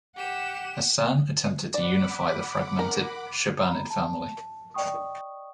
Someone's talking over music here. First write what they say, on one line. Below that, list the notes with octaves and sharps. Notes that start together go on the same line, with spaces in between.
Hasan attempted to unify the fragmented Chobanid family.
G4 F#5 E7
D5 F#5 B5 D6
A#4
A#5 B5
A5
D5 D#5 G5 C#6 D#6